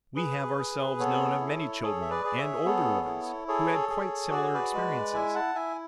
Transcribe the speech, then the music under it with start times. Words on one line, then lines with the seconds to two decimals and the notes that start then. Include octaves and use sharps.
We have ourselves known of many children and older ones who had quite similar experiences.
0.16 G#4 B4
0.58 G#4
0.99 B3 A4 C#5
1.40 E4
1.83 G#4 A4 C#5
2.02 E5
2.10 B4 D5
2.24 G#4 D5
2.38 C#5 E5
2.65 B3 A4 C#5
3.07 E4
3.48 G#4 A4 C#5
3.89 G#4
4.31 F#4 D5
4.42 C#5
4.54 B4 D5
4.73 G#3
5.14 E4 E5 G#5
5.34 F#5 A5
5.55 E4 E5 G#5